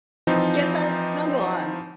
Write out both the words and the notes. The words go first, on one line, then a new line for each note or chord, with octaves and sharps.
get that snuggle on.
E3 F3 C4 D#4